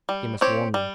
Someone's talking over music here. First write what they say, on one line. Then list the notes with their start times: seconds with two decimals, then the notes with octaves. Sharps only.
He must warn them.
0.09 G3
0.41 C4 G4 C#5
0.74 G3